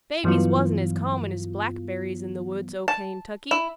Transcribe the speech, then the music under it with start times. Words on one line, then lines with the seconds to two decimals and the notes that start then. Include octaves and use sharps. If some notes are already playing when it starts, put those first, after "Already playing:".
Babies wasn't as common as blackberries in the woods o' Kaintucky.
0.24 G2 E3 F#3 B3 F4
2.88 A5
3.51 E4